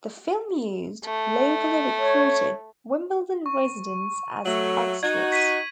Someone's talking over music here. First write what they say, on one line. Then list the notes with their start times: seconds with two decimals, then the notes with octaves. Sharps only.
The film used locally recruited Wimbledon residents as extras.
1.05 A3
1.98 C#5
3.46 C#6
4.46 F#3 A3 F#7
5.03 D#4 F#4 G#6
5.32 B6 D#7